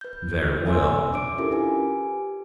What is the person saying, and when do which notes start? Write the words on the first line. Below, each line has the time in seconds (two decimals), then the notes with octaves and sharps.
"Very well."
0.01 B4 G6
0.66 A4 E5 G#5 C6 E6
1.13 D4 D6 D7
1.38 C#4 E4 F4 G4 A4 A#4
1.52 G4 B4 G#5